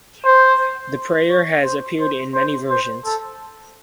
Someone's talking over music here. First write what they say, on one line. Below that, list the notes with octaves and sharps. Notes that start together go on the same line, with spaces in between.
The prayer has appeared in many versions.
C5
C#5
C5
C5
C5
C5
A4